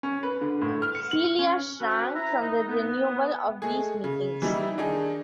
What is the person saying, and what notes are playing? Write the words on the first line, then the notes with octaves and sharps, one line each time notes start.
Celia shrank from the renewal of these meetings.
C#4
B4
D3
A2
F6
C#7
F#7
F6
C#4
C4 C#4 F#4 A4 B4
E4 E5 A#5
D#4
B3
G#3 A3 G#4
C#3
E3 G3 D#4 E4
D#3 D4 D#4 G#4